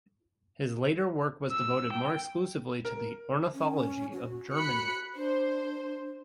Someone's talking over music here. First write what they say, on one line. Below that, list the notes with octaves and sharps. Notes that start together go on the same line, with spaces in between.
His later work was devoted more exclusively to the ornithology of Germany.
E6
G5
A#4
C#4
F#4
B5 F#6 C#7
D4 C5